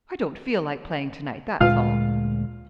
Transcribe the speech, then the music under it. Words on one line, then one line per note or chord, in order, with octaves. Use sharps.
"I don't feel like playing to-night; that's all."
D2 A#2 G#3 F4 F5